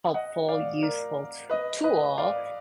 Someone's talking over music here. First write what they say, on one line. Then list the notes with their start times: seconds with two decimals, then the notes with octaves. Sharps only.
helpful, useful too tool,
0.14 D#5 F#5
0.48 D5 F5
0.82 A#4 D5
1.50 B4 D#5
1.84 B4 D#5
2.18 D5 F5